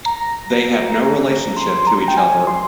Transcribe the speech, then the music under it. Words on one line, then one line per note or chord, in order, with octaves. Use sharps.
They have no relationship to each other.
A#5
A#5
A#5
C6
A#5
G5
G#5
C6